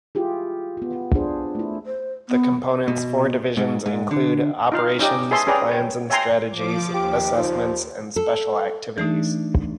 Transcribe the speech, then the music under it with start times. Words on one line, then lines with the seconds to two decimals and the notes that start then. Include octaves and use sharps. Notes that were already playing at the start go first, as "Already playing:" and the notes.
The Component's four Divisions include: Operations, Plans and Strategy, Assessments, and Special Activities.
0.15 E4 F4 G4 G#4
0.77 B3 F4
1.14 D4 F4 G#4 C5
1.55 A3 E4
1.86 C5
2.29 B3
2.88 B2
3.57 G#2
3.86 G#2
4.11 D3
4.72 D#4 F4 F5
4.99 C#4 D#4 G4 D5
5.31 G#4 B4 C#5 E5 A5 C6
5.47 C#4 G#4 B4 D5 G5 A#5
5.69 B4 C#5 G5
6.10 C#5 E5 G5 G#5 A#5 C6
6.49 F3 D6
6.94 D#2 G4
7.37 F3
8.16 A4
8.98 E3 A3 D4 D#4